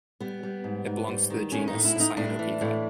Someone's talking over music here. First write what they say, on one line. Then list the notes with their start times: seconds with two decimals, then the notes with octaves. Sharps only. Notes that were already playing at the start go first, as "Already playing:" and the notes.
It belongs to the genus "Cyanopica".
0.20 G3 B3
0.43 G3
0.64 G#2
0.86 G#2
1.08 G3
1.30 D#3
1.52 A2 C#4
1.68 D#4
1.73 A2
1.84 E4
1.95 A2 D#4
2.16 A2 D4
2.39 E3
2.61 A2